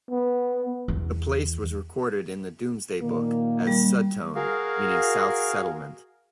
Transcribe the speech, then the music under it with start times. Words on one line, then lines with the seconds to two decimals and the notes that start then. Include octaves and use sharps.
The place was recorded in the "Domesday Book" as "Sudtone", meaning "south settlement".
0.11 B3
0.88 E2
3.01 A#2 D#3 A#3
3.67 G3
4.35 F#4 G#4 A#4 F5